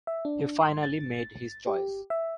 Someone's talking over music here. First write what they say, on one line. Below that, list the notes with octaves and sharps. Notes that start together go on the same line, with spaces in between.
He finally made his choice.
E5
D4
C6
A6
G4
E5